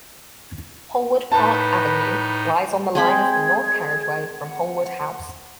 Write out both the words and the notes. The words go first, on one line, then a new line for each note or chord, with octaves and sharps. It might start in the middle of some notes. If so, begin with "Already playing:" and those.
Holwood Park Avenue lies on the line of the north carriageway from Holwood House.
A2 D#4 B4 A5
G#3 C4 G#4 B5 G#6
F#5